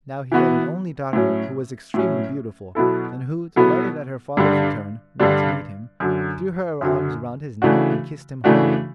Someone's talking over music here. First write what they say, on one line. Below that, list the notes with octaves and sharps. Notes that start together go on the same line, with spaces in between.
Now he had an only daughter who was extremely beautiful, and who, delighted at her father's return, ran to meet him, threw her arms round his neck and kissed him heartily.
E3 B3 F#4
A2 F#3 C#4
A2 F#3 C#4
B2 F#3 B3 E4 A4
B2 F#3 B3 E4 A4
G2 D3 G3 D4
G2 D3 G3 D4
F#2 D3 F#3
F#2 D3 F#3
C#3 E3 A3 D4 F#4
C#3 E3 A3 D4 F#4